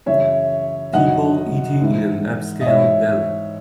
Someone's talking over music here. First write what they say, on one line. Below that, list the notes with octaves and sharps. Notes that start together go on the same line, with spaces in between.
People eating in an upscale deli.
F#2 C#3 E3 C#5 E5
F#2 D#3 F#3 D#5 F#5
G#2 E3
D#5
G#2 E3 C#5 E5